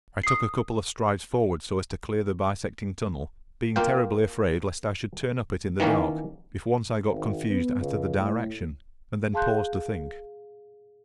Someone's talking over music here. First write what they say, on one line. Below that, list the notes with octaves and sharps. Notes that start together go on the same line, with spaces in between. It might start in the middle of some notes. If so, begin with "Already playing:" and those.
I took a couple of strides forward so as to clear the bisecting tunnel, being terribly afraid lest I should turn up it in the dark if once I got confused as to the direction, and then paused to think.
D#6 C7
A#3 F4 G5
D#3 E3 A#3 C#4
G#1
B3
C#2
A2
G#4 F5 A5 C6 F#6 G6